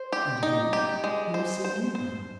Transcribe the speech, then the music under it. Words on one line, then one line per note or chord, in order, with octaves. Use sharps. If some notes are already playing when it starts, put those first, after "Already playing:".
"And you, who is seeing you home?"
Already playing: C5
G4
D#4
G4
G#3
C5
C5
C5